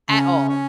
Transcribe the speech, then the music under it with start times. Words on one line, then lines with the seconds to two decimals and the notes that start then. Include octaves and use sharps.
at all.
0.09 C#3 C#4
0.49 C#4